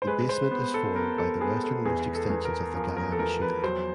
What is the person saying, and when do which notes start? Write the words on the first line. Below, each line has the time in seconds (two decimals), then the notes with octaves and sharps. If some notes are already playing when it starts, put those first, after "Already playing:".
The basement is formed by the westernmost extensions of the Guiana Shield.
0.02 C5
0.07 G#3 B4
0.29 C5
0.51 B3
0.74 A4
0.96 B3 A#4
1.18 A4
1.41 B3 G#4
1.63 A4
1.85 E2 G#4
2.15 A4
2.30 E2
2.45 A#4
2.74 F3 A#4
2.97 A#4
3.12 A4
3.19 E2 A#4
3.42 B4
3.64 F#3 C5